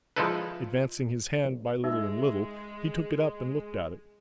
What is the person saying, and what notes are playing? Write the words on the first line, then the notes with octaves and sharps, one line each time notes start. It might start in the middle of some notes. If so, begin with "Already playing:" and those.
Advancing his hand by little and little, he took it up and looked at it.
F3 G#3 D#4 E4 A4 B4
G#3 D#4 E5 E6